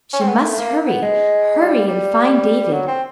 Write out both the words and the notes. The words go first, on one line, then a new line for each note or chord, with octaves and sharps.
She must hurry--hurry and find David.
C#4
C4
B3
A#3
A3
A#3
B3
G#3
G3
G3
F#3
C4